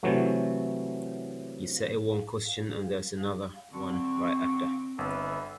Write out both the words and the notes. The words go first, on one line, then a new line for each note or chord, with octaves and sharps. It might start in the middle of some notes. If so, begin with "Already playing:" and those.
You settle one question and there’s another right after.
C3 E3 F#3 A3
D3 C4 C#6
G1 A4 B4 E5